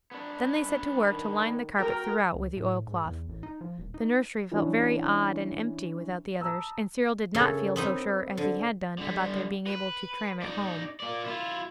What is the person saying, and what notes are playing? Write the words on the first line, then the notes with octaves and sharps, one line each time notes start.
Then they set to work to line the carpet throughout with the oil-cloth. The nursery felt very odd and empty without the others, and Cyril did not feel so sure as he had done about their being able to 'tram it' home.
B3 D4
D#3
F#4 A#4 G5
C#2
A2
G#2
E2
A1
D#4
F3
D#1
D#4
E3 C#4 D4 F#4
A5 A#5 D#6 E6
F#2 C#3 A4
B3 C4 D#4
D3
D3 G3
B4
D#4 D5
A#3 D5
E4 F4